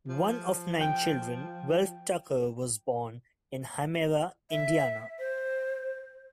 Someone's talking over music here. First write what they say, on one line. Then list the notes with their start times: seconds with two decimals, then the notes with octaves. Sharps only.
One of nine children, Ralph Tucker was born in Hymera, Indiana.
0.08 F3
0.81 G5
4.50 E5
5.19 C5